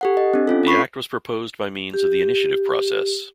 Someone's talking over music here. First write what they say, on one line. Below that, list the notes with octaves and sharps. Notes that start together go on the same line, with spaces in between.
The Act was proposed by means of the initiative process.
G4 A4 F#5
D#5
C4 D4
C#4 F4 A4
B5 C#6 B6 C7
G4